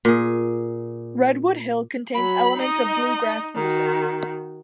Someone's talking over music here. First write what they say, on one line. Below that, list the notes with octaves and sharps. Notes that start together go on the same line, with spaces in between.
"Redwood Hill" contains elements of bluegrass music.
A#2 G#4
F#3 B5
D#4 D#5
D#3 F#4